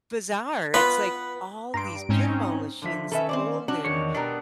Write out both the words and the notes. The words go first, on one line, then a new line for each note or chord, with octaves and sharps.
bizarre, it's like, all these pinball machines, old and
B3 F4 B4 B5
G2 A#5 C6 D7
G#2 C4 C#4 D#4
D3 F3 E5
D#3 C#4 A4 B4 E5
C4 C5 D5
C#4 D4 F#4
E2 D#3 C#5
B2 G3 B3 D4 A#4